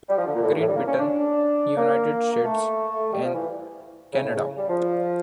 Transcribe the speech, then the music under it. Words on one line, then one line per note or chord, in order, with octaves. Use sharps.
Great Britain, United States and Canada.
G3
F3
D3
A#2
A2
G2
A2
G3
A#3
C#4
D4
A#3
A#3
A3
G3
F3
E3
C#3
A2
C#3
G3
F3